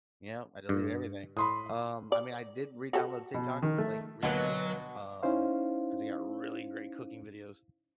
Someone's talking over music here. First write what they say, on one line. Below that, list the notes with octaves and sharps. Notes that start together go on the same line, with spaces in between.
you know? I deleted everything. Um, I mean, I did redownload TikTok, like, recently, um, 'cause they got really great cooking videos,
G2
A2 B5 C6 D#6
D5
F#4 G4 A4
B2
D#3
A3
D2 B2 F#3 A#3 B4
C#4 D#4 E4 C5 F5